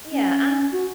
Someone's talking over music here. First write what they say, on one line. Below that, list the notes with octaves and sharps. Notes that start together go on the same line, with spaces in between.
Yeah, I'm
C#4
F#4